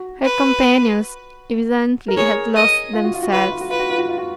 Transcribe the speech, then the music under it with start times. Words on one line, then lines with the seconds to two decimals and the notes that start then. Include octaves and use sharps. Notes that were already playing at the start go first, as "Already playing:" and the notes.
Her companions, evidently, had lost themselves.
Already playing: F#4
0.24 B4
2.08 A#4
2.17 G#4 C#5
2.56 D#5
2.93 F4
3.04 F#4
3.14 F4
3.22 F#4
3.32 F4 B4
3.42 F#4
3.52 F4
3.61 F#4
3.70 F4 B4
3.79 F#4
3.90 F4
3.98 F#4
4.09 F4
4.18 F#4